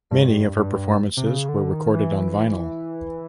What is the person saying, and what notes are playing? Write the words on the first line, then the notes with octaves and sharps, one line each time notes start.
Many of her performances were recorded on vinyl.
G2
G#2
G2
G2
C3
C#3
D3
D#3
E3